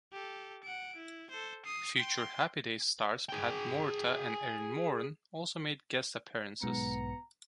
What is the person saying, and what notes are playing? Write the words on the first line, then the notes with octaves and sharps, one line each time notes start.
Future "Happy Days" stars Pat Morita and Erin Moran also made guest appearances.
G4 A4
F#5 D7
E4
A4 C5
D#6 C7
G5 C6
G#4 G5
B1 G#2 B3 A#5 C#7